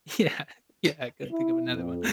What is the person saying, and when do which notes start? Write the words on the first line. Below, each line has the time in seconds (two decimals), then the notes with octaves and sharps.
yeah, yeah, I couldn't think of another one,
1.31 E4
1.69 F2